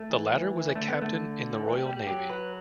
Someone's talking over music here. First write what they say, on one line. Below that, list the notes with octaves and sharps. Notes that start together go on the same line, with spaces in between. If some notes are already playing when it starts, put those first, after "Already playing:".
The latter was a Captain in the Royal Navy.
Already playing: A3
E3
D3 A3
B3
A3
E3
G3
G3
G3
F#3 G4
B4